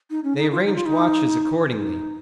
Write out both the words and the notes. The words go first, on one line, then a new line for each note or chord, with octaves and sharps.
They arranged watches accordingly.
D#4
C#4
D#4
F4
D#4
F4
D#4
D#4